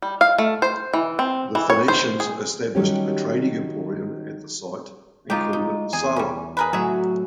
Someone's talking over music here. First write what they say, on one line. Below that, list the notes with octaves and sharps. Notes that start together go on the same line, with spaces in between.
The Phoenicians established a trading emporium at the site and called it "Sala".
G3
F5
A3
C5
E3
C4
E3
C#5
C5
G#4
D#3 F#3 G3 C#4 G4
G#3 D#4 F4 G4
D#4
E2 G#4
G3 C#4
G#4 A#4 B4
A2 F#3 F#4 G#4 E5